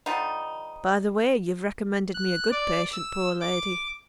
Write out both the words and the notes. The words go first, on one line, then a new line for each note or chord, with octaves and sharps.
'By the way, you've recommended me a good patient, poor lady!
D3 F3 G3 D#4
F#6
D5
E6
D6